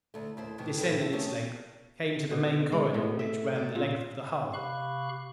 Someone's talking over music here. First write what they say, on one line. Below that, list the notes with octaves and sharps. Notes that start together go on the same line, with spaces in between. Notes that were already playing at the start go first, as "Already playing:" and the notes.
We descended its length, came to the main corridor, which ran the length of the hull.
D2 A3
D#2 E4 C5
A2 D#3 E3
F#2 A2 F#3 A4 B4 G5
A4 E5
D#3 A3 C#4 G4
B2
G#3
A2
E5
D5
A#2
C3 G4 F5 B5 C#6 F#6